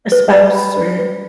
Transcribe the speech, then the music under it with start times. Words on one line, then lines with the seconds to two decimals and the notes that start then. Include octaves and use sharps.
a spouse or
0.12 B4
0.33 D5
0.55 B5
0.76 B4
0.99 B4